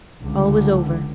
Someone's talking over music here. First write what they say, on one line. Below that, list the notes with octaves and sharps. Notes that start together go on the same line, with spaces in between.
All was over.
C#2 D3